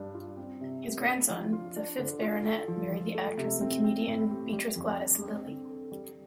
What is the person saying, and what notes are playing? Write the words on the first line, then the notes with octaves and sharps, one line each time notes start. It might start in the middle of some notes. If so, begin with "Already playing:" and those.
His grandson, the fifth Baronet, married the actress and comedian Beatrice Gladys Lillie.
Already playing: G2 D4
F4
C4
C3
G4
D4
F3
F4
D4
D3
F4
A4
F3
F3
A3
C3
C4
C4
A2
G4
G3
F2
D4
C4
D3
A4
G3